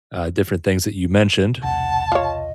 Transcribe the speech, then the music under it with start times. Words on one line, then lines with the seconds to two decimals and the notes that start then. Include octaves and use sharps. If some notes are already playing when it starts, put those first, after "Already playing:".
uh, different things that you mentioned,
1.63 E1 C2 F#5 A5
2.12 F4 C#5 D#5